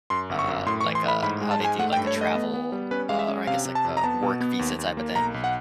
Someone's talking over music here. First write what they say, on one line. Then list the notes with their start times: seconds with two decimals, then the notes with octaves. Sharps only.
Uh, like, uh, how they do, like, a travel, uh or I guess, like, a work visa typa thing.
0.10 F#2 C6
0.30 G1
0.39 C#6
0.48 F#2
0.66 A2 C6
0.81 C#6
0.85 E3
0.95 C6
1.04 A2 B5
1.23 G#2 B5
1.41 G#3
1.51 A5
1.60 G#2 G#5
1.79 A3 F#5
1.93 G5
1.97 G2
2.07 C#5
2.16 A3 D#5
2.35 B3
2.54 B3
2.72 G3
2.91 C#4 B4
3.09 G#3 F5
3.19 E5
3.28 C#4
3.47 C3 F5
3.65 C3
3.75 A5
3.85 F2
3.97 A#5
4.03 B3 A5
4.22 B2
4.41 B3
4.59 D#2
4.78 D#2
4.97 A#3
5.15 B1 A#5
5.34 B1
5.44 F#5